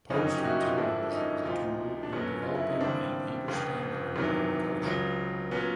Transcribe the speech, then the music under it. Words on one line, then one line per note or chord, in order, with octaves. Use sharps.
Post-materialism is a tool in developing an understanding of modern culture.
F#1 F2 C#3 F#3 C#4 D#4
C#4 D#4
G4
E4 F#4
D#4 F4
F#1 F2 D3 F3 D4 E4
C#4 D#4
D2 C3 F3 D#4 F4
D4
G1 F#2 D3 F#3 B3 C#4
F4
E4
D#4
D#2 C#3 E3 G3 C4 D4
F1 F2 C#3 F3
F1 E2 C3 D#3 F#3
C#2 C#3 F#3
A#2 F#3 B3 C#4